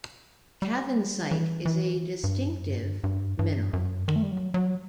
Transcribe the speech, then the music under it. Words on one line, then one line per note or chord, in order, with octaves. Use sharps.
Cavansite is a distinctive mineral.
G3
E3
E3
G2
F#2
G2
G2
G2
F#2
D#3
A3
G3
F#3
F#3